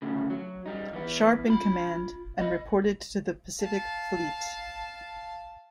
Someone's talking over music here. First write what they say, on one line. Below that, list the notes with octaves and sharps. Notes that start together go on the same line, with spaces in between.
Sharp in command; and reported to the Pacific Fleet.
D2 A2 C#3
F#3
G3 D#4
E3 B3
F4 B5
D#5 B5
F5 A5